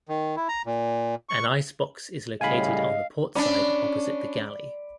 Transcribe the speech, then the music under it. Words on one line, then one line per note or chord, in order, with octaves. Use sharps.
An ice box is located on the port side opposite the galley.
D#3
E4
A#5
A#2
C#6
A2 C#3 G3 D#5 F5 G#5 B5
C#4 D4 D5 B5 C6